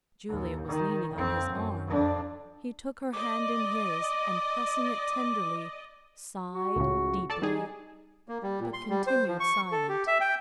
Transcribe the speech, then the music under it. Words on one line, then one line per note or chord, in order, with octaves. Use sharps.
Julia was leaning on his arm: he took her hand in his, and pressing it tenderly, sighed deeply, but continued silent.
D#2
D#3
F2 C4
F#2
F2 D4
D5 D#5 D6
F#4
C#2 A2 C#3
A4 D5 A5
G3 D#4 G#4
A#3
G3
A#2
C6
G3
C5
F3
C#6
A4
G4
E5
G5